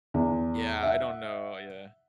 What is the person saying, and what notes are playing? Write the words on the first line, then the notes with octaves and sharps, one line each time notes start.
Yeah, I don't know. Yeah.
E2
E5 F#5